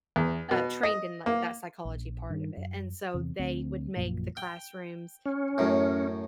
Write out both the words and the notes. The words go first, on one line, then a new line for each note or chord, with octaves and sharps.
uh, trained in, like, that psychology part of it and so they would make the classrooms,
E2
B2
D#5
A#3
A#1
G2 D#3
F#2
E2 C3
D2 C4
A#1 F#2 A#2 F3
G5
C#4
F#2 A2